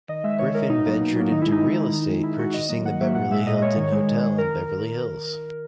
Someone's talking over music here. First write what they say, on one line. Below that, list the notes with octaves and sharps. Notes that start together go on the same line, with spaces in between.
Griffin ventured into real estate, purchasing the Beverly Hilton Hotel in Beverly Hills.
D#3 D#5
G#3 E5
D#3 C#5
G#3 A#4
B2 D#4
F#3 A#3
B2
F#3 A#3
D#3 D#4
E4
G#3
D#4
D#3
G#3
D#3
G#3
D#3 E4
G#3 F#4
D#3 D#5
F#3 A#3 D#5
D#3 F#5
F#3 A#3 E5
A#2 F#5
G#3 E5
A#2 D#5
G#3 C#5
D#3
G#3
D#3
G#3
D#3 A#4